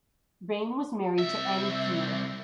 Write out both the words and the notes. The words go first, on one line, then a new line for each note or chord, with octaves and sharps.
Raine was married to Annie Keyworth.
C2 E5